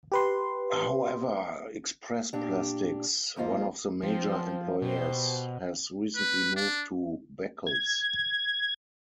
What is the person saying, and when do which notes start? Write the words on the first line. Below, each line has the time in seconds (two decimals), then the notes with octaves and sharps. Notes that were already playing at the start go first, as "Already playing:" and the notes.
However, Express Plastics, one of the major employers has recently moved to Beccles.
0.12 G4 B4 C6
2.33 A#2 D4 G4
3.36 F2 G#2 A#3 F4
4.03 F3 C4
4.82 B2 G4 C5
6.16 B4
6.56 D4
7.67 G#6